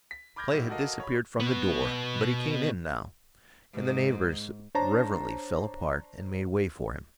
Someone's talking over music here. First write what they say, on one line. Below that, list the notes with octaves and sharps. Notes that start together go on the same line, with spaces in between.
Clay had disappeared from the door; but he came in, now, and the neighbors reverently fell apart and made way for him.
B6
B5 D6 F6 G6 G#6 A#6
B2 F#3 D#4 E4 G4
F#4 A4 A#4 D#5 F5
C#5 B5
B2 B3
G#2
D4 C5 C#5 A5 A#5